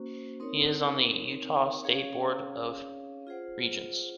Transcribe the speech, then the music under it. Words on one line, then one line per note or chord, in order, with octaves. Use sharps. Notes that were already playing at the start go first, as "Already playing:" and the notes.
He is on the Utah State Board of Regents.
Already playing: A#3 C#4 F#4 C5
C4 D#4 A#4 C#5
C#4 G#4 C#5 F5
F4 G#4 C5 F#5